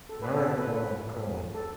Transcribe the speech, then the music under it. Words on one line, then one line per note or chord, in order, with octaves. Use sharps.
All right, well, cool.
A4
B4
A4
A4
B4
A4